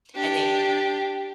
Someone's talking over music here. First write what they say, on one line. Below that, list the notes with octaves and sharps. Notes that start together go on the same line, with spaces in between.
and they
D4 G4